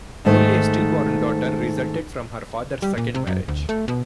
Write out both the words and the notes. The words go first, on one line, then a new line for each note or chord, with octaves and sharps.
Only a stillborn daughter resulted from her father's second marriage.
G#2 D#3 A3
G3
A#2
C3
F#2
D2
A3
B2